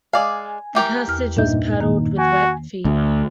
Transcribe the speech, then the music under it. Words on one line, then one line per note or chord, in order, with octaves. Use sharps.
The passage was paddled with wet feet.
G#3 D5 F5 G#5
E3 G4 A#4
E2 F6
G2 A#2 D4 D#4 E5 G6
D#3 A#3
F#4 G#5
D2